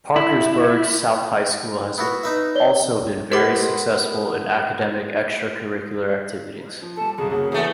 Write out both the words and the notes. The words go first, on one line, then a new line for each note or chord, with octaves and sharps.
Parkersburg South High School has also been very successful in academic extracurricular activities.
E4
B3 E4 F#4
D#4 B4 E5
C#5 D5 G7
G#3 B3 G4 A#4 C5 D6
F3
G3 A4 A5
C2 F#2 G#4
C#3 A#3 F#4 G#4
E2 A3 G#4